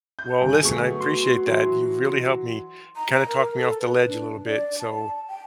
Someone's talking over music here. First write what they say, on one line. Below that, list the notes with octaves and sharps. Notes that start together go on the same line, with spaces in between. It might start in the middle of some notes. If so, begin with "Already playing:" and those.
Well, listen, I appreciate that. You really helped me kind of talk me off the ledge a little bit, so,
G6
G2 D3 G#5
F#3 A3 B3 G#4 C#6
F#4 C6
E3 F#3
A#5
A#4
A4
B4
D4
D5
A5
G5